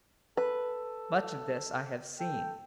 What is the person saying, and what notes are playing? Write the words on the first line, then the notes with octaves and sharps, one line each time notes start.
Much of this I have seen.
A4 B4
A4 G5